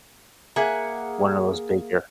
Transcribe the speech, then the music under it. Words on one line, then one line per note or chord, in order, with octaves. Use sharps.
one of those bigger
A#3 G#4 E5 F#5